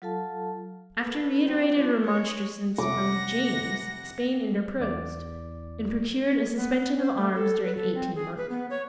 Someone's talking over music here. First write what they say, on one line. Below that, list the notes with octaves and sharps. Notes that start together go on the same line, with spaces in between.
After reiterated remonstrances from James, Spain interposed, and procured a suspension of arms during eighteen months.
F#3 F4 A4 F5 A5
A4 B4
F#3 C4
F3 D4
G#3 C#5
F2 C3 F#5 D6 A#6
E2 D5
B3
C5
A3
A4
B4
A4
C4
G#4
B4
B3
C#5